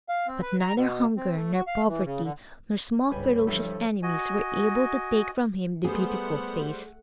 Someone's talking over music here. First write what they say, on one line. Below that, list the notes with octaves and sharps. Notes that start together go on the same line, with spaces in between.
But neither hunger, nor poverty, nor small ferocious enemies were able to take from him the beautiful face.
F5
C4
B4
A#5
B2
C4
A3
F#4
F5
E3
C#3
D3
G1 C#2 G#2 G3 B4 C#5 G#5
G2 F3 G3 E4 A4
F#4 D#5 G#5
G3 A3 B3 G#4 C5 F#5